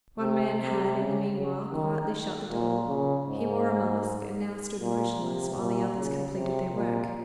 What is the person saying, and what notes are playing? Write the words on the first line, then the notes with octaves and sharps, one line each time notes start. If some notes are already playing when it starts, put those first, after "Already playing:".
One man had in the meanwhile quietly shut the door; he wore a mask and now stood motionless while the others completed their work.
C3
C3
C#3
C#3
D#3
A#2
C#3
G#2
A#2
C3
A#2
C#3
C3
A#2